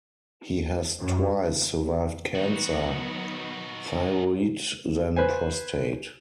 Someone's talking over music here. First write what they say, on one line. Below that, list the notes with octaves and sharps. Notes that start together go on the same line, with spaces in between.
He has twice survived cancer - thyroid, then prostate.
F#2
D#3 F#3 B3 D#4 F#4
B4 C5 G#5